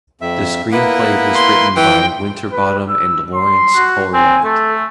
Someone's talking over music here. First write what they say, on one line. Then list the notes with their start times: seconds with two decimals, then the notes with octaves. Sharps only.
The screenplay was written by Winterbottom and Laurence Coriat.
0.21 F2 E5
0.72 A#3 B3 E4 B4
1.34 C6
1.77 E3 G5
2.52 B4
2.90 E6
3.35 C6
3.75 F#4
4.14 C4 G#5
4.44 A3 A4